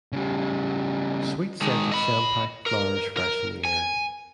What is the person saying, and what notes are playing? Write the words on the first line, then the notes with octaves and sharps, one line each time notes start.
Sweet scented champak flowers freshen the air.
C#3 G3
D#3 G#3
D#5 B5
A#4
A#4
G#5